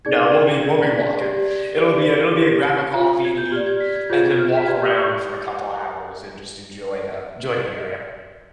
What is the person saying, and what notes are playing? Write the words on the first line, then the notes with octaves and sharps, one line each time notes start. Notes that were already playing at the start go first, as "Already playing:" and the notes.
No, we'll be we'll be walking. It'll be a it'll be a grab a coffee and eat, and then walk around for a couple hours and just enjoy the joy the area.
D#4 G#4 D5 G#6
D4 G#4 D5 G#6
B6
G4 D5 G#6
G4 D5
G4 C5
F4 C5
G#6
G6
G4 D5 F6
G#6
B6
G#6
F4 G#4 C5 G6
F6
B6
G4 D5 G#6
G6